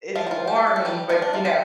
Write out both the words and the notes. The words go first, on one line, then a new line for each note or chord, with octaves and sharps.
it's boring, but, you know
F3 F4
D4
F3 F4
G4
A4
G4
A4
G3 G4
F3 F4
D4
F3 F4
G3 G4